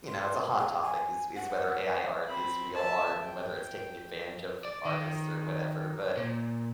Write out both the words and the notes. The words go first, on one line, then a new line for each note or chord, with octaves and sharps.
you know, it's a hot topic, is is whether AI art is real art and whether it's taking advantage of artists or whatever. But,
C6
G#4
G#5
F#5
C4 B5
E5 A5
G5
D5
D#3
A#2